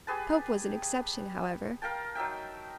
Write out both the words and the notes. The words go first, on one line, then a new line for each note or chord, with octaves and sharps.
Pope was an exception, however.
G4 G#4 B4 A5
A#4 F5 G5 A5
F#3 D#4 E5 G5